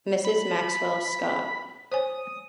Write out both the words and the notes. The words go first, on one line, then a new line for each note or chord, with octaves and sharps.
Mrs Maxwell Scott.
B5
C5 C#5 G#5 D#6